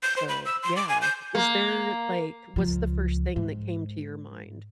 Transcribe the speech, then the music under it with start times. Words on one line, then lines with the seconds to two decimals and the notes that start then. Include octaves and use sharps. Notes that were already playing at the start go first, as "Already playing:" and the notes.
so, yeah. Is there, like what's the first thing that came to your mind?
0.03 G6
0.17 C5
0.29 B5
0.45 E6
0.63 C6
0.76 D6
0.89 G#5
1.02 G6
1.35 A#3
2.56 C#2 F3
3.36 G#2